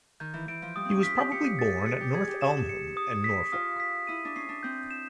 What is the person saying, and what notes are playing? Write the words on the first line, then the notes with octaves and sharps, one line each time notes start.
He was probably born at North Elmham in Norfolk.
D#3 G6
E3
E3 D7
F3
G3 D#6
C4 C#4
F4 B6
G4
G4 C#7
A6
G#4 C#7
G4
G#4 G#6
G4
E7
C#7
D#6
B6
F4 D#6
B6
E4 D#7
D4
C#4 C7
D4
C4 G6
E7